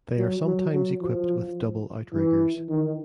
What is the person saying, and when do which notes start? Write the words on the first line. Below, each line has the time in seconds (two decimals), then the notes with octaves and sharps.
They are sometimes equipped with double outriggers.
0.18 F#3
0.46 F#3
0.74 F#3
1.01 F3
2.13 E3
2.69 D#3